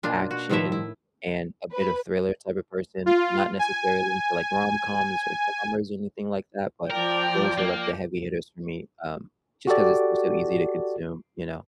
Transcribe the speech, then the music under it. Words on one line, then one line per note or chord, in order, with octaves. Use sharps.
action, and a bit of thriller type of person. Not necessarily into like rom-coms or dramas or anything like that, but those are, like, the heavy hitters for me, um, just 'cause it's they're so easy to consume, you know?
B2 A#3 D4 F4
F#4
A2 D#3 F3 A3 E4 E5
E4
B4
F4
G#5
F3 A#4 D5 G5
A#3
F#4 G4 A4 D5